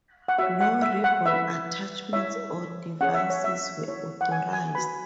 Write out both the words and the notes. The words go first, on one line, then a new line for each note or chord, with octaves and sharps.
No ribbon attachments or devices were authorized.
F#5
F#4 C#5 E5
F#5
E5
F#5
E4 B4 E5
E4 C#5 E5
C#4 G#4 C#5 F#5
E5
C#5
E5
E4 C#5
F#5
G#5
G#5
F#4 B4 B5